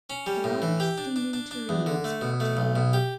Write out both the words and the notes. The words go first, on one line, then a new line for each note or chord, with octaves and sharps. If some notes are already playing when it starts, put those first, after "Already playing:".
A large steaming tureen was brought in.
C#4
G3
A2
E3
G4
D4
D4
D4
D4
E2
D3
A3
B2
A3
B1
B2
G4